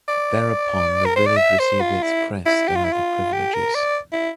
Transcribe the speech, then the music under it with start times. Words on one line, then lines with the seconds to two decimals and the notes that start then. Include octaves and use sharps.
Thereupon the village received its crest and other privileges.
0.08 D5
1.05 A#4
1.16 C5
1.26 D5
1.37 E5
1.59 C5
1.81 F4
2.03 E4
2.45 E4
2.68 G4
2.75 F4
2.85 E4
2.93 F4
3.33 G4
3.54 A#4
3.75 D5
4.13 E4